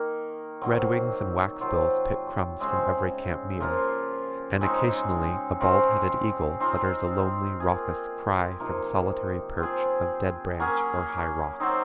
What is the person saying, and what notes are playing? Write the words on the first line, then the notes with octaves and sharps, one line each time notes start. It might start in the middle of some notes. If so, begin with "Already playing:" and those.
Redwings and waxbills pick crumbs from every camp meal; and occasionally a bald-headed eagle utters a lonely raucous cry from solitary perch of dead branch or high rock.
Already playing: D#3 A#3
D#3 F#3 C4
C3 F#3 C4 F4
C#3 G#3 C4
F3 A#3 F4
C#3 G#3 C4 D#4
C#3 F3 C4
F3 C4 D#4
A#3 F4 G#4
C3 F3 A#3 D#4
C4 F4 G#4 C5
F#3 A#3 C#4 G#4
F#3 C4 D#4